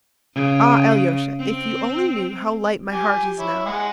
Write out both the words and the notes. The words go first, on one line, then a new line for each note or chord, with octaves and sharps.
Ah, Alyosha, if you only knew how light my heart is now!
C#3
C4
G4 G#5
E4 C#5
G#3 G#4 F#5